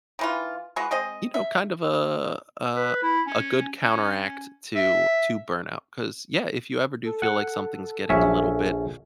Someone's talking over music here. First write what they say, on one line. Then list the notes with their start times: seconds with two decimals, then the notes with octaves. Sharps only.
you know, kind of a a a good counteract to to burnout. 'Cause yeah, if you ever do feel like something's getting a little bit,
0.19 D#3 E3 F4
0.76 E3 G#3 F#4
0.91 G#3 C4 D#5
1.34 E5
2.76 B4
3.02 E4
3.27 C#4
3.82 C#4
4.75 E5
7.04 A4
7.22 F#5
8.09 A#1 C#4 E5